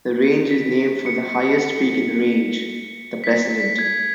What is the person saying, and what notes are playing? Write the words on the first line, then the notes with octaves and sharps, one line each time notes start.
The range is named for the highest peak in the range, The President.
B6
C#7
B6
B6
B6
G#6